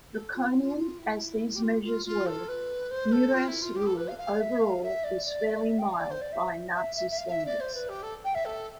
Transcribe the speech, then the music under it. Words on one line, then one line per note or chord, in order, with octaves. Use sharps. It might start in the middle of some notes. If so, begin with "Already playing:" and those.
Draconian as these measures were, Neurath's rule overall was fairly mild by Nazi standards.
A4
F4
E4
F4
F4
E4
G4
F4
F4
F4
A4
B4
C5
A4
F4
E4
F4
G4
A4
B4
F5
F5
E5
F5
E5
D5
D5
E5
D5
E5
G5
F5
D5
C5
D5
E5
E5
E5
E5
F5
F5
E5
D5
C5
B4
G4
A4
G5
E5
A4